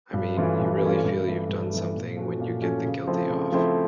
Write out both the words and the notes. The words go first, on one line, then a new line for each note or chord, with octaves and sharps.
I mean, you really feel you've done something when you get the guilty off.
G2
E3 A3 C#4 F4
G2
E3 A3 C#4 F4
G2
E3 A3
G2
E3 A3
A#2
F3 A3 C#4 F#4
A#2
F3 A3 C#4 F#4
C#3
F3 A3 C4 E4
C#3
F3 A3 C4 E4